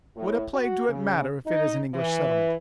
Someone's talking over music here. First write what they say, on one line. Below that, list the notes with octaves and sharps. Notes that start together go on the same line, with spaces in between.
What a plague do it matter if it is an English settlement?
A2
F#4
C#3
D#4
E3